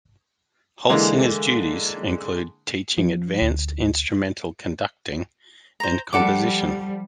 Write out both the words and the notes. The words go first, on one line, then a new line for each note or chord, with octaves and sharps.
Holsinger's duties include teaching advanced instrumental conducting and composition.
D3 E3 G#3 A#3
F3
D2
C5 A#5
F3 G3 A4 F#5 D6